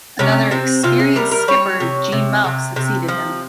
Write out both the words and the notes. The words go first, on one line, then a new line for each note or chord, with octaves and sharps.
Another experienced skipper, Gene Mauch, succeeded him.
C3 C#4
C3 C4
C3 F4
G#4
G3 A#4
A#4
G3 C#5
C3
C3
C3
C3
F3